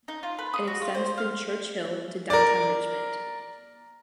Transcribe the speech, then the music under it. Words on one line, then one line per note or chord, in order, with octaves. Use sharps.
It extends through Church Hill to Downtown Richmond.
D#4
F4
B4
D#6
F#4
F4
C5
F5
A#4 D5